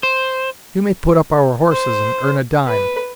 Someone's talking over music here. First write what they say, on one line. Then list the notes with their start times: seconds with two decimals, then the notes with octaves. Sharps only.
"You may put up our horses and earn a dime."
0.03 C5
1.71 C5
2.67 B4